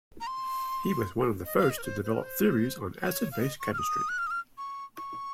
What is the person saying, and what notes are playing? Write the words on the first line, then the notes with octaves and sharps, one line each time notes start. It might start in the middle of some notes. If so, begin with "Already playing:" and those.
He was one of the first to develop theories on acid-base chemistry.
A#5
C6
D#5
F5
D#5
A#4
C5
C5
A#4
C5
C#5
F5
D#5
C#6
F6
D#6
F#6
F6
D#6
F6
C#6
C#6